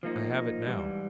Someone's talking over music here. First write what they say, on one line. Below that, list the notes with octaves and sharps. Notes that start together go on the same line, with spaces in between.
I have it now.
F3 A#3 D#4
G#2 E3 G3